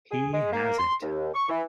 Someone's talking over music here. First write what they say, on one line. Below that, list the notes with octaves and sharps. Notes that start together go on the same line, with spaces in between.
He has it.
G#4
G#3
A#3
C6
D#2
C#6
E3